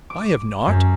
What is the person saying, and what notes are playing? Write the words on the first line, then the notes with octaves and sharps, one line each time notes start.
"I have not."
D6
F#2